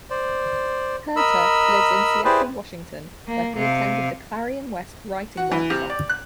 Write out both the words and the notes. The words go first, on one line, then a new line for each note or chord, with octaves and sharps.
Herter lives in Seattle, Washington, where he attended the Clarion West writing workshop.
C5 D5
A#4 D#5 B5 E6
E4 G4 G#4 B4 C5 D5
A#3
C3 F5
F#4
E3
C3
D5
F#6